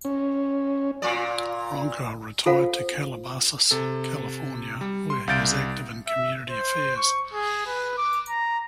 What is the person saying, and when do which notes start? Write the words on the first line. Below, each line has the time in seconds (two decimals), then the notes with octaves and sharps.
Ronka retired to Calabasas, California, where he is active in community affairs.
0.05 C#4
1.02 A#2 F4 D5
2.46 F4 A4 C5 F5 F#5
3.71 C3 A4
4.81 G3
5.10 C6
5.27 C2 F5 G6 A6 D7
6.07 E5
6.50 C5
6.97 C#6
7.33 G#4
7.66 B4
7.97 D6
8.29 A#5